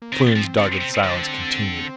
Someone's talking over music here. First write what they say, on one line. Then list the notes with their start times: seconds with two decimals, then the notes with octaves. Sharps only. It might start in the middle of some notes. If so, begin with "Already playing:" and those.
Kloon's dogged silence continued.
0.02 A#3
0.12 D#3 C4
0.36 F3
0.58 D3
0.81 C3
1.03 D3